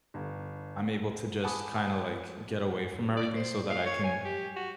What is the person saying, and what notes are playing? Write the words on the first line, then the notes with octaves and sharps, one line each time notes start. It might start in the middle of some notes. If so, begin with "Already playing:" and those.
I'm able to just kinda like get away from everything so that I can,
G1
F#5 G#5 A5 B5 D6 D#6
D5
C5
F5
C#5
G#5
G4
F#4